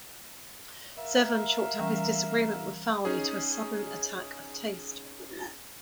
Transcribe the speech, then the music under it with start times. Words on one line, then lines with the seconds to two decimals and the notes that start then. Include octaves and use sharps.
Zevon chalked up his disagreement with Fowley to a sudden attack of taste.
0.98 A#4 E5 F5
1.78 E3 G3 C#4
3.05 C#4 D#4 G#4